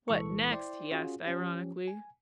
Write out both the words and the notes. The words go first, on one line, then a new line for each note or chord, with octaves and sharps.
"What next?" he asked ironically.
C2 A#2 E3 G#3 A4 C#6
E4 C5 D5 G5 C6
C#4 F4 F#4 G#4
F3 C#4 G4
G#5